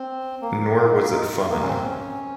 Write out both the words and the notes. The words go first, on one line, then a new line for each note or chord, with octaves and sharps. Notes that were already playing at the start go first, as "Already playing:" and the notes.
Nor was it fun.
Already playing: C4
A#3
D#4
A#3
C#4
C4
C#4